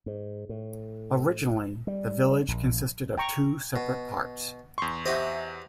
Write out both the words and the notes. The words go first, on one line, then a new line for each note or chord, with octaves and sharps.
Originally, the village consisted of two separate parts.
G#2
A2
G3
A#1
G5 A#5 C#6
B2
E2 C6 C#6
F#4 G4 C5 D#5 E5